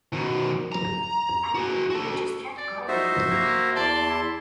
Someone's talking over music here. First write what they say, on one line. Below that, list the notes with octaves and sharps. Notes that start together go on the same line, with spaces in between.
I mean, it just kept growing!
B2 D#3
A#5
F#4 G#4
F#4 A4
D5
D#4 F#4 C5 E5
A#3
E2 D5 A5 C6
E4